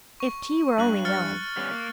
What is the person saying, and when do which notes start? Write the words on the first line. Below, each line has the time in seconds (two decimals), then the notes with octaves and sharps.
If T. were only willing!...
0.20 C#6
0.78 G2 F#6 F#7
1.05 F6 A6 C#7
1.57 G3 B3 C#4
1.71 A#3